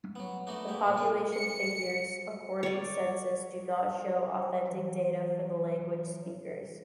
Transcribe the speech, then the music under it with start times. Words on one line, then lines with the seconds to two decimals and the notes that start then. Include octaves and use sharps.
The population figures according census do not show authentic data for the language speakers.
0.15 F#3 B3
0.47 A3 B3 D4 D#4 F#4
0.68 G#3 A#3 D#4 G4
0.84 A#2 C#3 E3 A#3
0.97 F4 G#4 D5 G#5
1.33 C#7
2.63 C#5 D5
4.67 E3 F#3